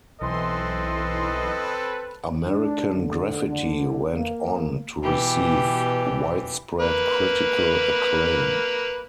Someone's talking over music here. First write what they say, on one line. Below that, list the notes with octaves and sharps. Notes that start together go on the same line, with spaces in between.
"American Graffiti" went on to receive widespread critical acclaim.
B1 E3 C4 A4 B4 D#5 C6
D4
D3
D3
A#3
B2 E3 G4
A#3 B4